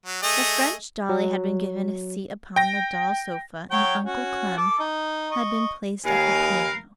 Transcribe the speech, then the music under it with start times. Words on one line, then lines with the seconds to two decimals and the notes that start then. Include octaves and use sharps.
The French dolly had been given a seat upon the doll sofa and Uncle Clem had been placed at the piano.
0.06 F#3
0.23 A3 G#4 D#5
1.09 F#3
2.56 G5 A#6
3.71 F#3 C#5 G5
4.04 C#4 F#4
4.57 A4 A5 D6
4.79 D#4
5.31 D#5 C#6
6.05 D#2 A#4 B4 F5 G#5